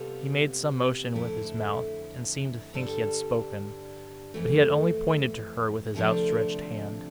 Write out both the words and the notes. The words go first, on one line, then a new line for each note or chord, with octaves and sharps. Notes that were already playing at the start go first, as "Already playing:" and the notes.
He made some motion with his mouth, and seemed to think he had spoken; but he had only pointed to her with his outstretched hand.
Already playing: C3 G3 B3 F4 A4
F2 D3 A3 E4
G2 D3 G3 D4 A4
F2 E3 A3
D2 C3 F3 A3 D4